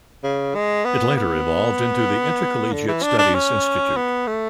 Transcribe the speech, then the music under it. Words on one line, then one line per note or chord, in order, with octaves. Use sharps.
It later evolved into the Intercollegiate Studies Institute.
C#3
G#3
B3
B3
D3
E3
D4
D4
C#4
B3
A3